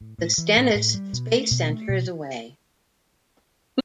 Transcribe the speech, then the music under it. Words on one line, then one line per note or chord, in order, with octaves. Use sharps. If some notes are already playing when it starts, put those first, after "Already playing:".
The Stennis Space Center is away.
A2
A2
E3
A2
A2
G3
B2
A3
B2
A3
B2